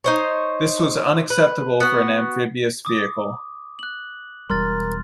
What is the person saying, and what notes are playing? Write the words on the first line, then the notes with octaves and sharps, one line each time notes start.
This was unacceptable for an amphibious vehicle.
D#4 C5 C#5
B4
B3 F#4
D6 D#6
F#6 F#7
E1 E2 G3 A#4 C6 F6 A6